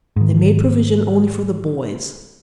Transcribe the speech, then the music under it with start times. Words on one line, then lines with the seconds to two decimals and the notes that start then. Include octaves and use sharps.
They made provision only for the boys.
0.16 G#2 D#3